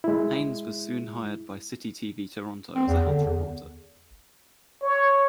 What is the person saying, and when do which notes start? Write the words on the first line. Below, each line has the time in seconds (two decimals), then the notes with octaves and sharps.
Haines was soon hired by Citytv Toronto as a health reporter.
0.04 G#3 E4
2.75 C4
2.88 E2
3.06 D3
3.24 E2
4.82 C#5